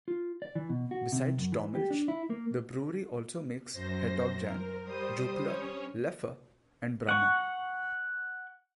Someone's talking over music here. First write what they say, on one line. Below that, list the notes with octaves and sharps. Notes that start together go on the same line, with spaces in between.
Besides "Dommelsch" the brewery also makes "Hertog Jan", "Jupiler", "Leffe" and "Brahma".
F4
D5
E3
B2
F#4
C3
F#2
E3
G4
D4
E4
A#3
F#2 C5 A#6
A#4
G3 C5 D#6
C#4 C#5
F#5 C#6